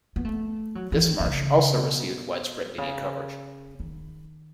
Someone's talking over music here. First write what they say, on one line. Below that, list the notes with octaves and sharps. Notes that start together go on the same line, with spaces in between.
This march also received widespread media coverage.
B3
A3
F#3
E3
D#3
D#3
C#3
B2
C#3
D#3